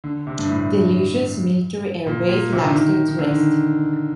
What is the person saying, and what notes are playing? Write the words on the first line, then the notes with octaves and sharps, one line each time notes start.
The Eleusis Military Airbase lies to its west.
D3
C3
G2
A2
A#2
A#2
C3
D3
D#3
D#3
D3
D#3